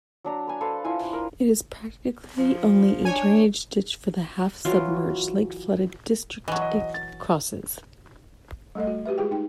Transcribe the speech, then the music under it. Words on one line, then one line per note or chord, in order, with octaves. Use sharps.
It is practically only a drainage ditch for the half-submerged, lake-flooded district it crosses.
F#3 D4 A#5
B4 G#5
A4 B4 C5 F5
E4 F4 G#5
A#4
F3
D4 C#5 G#5
E3 F#3 F4
E3 F#3 D#5
D#5
A6
G3 A3 A4 D#5
F#4
F#4 G4 B4 E5
G#3 F4 G#4 G5
D#4 G5